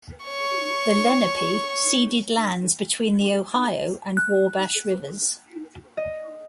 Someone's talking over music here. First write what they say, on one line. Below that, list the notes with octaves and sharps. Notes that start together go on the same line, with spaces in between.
The Lenape ceded lands between the Ohio and Wabash rivers.
C#5 C#6
F#6
D#5